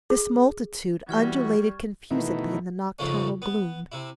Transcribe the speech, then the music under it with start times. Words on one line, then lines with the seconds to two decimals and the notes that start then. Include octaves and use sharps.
This multitude undulated confusedly in the nocturnal gloom.
0.10 G#4
1.09 E3 G3 F#4 C#6 F6 G#6
2.11 B2 D#3 E3 A3 D#4 E4
2.99 F2 G#2 C#3 F3 A3 C#4
3.42 B3
3.92 C3 E4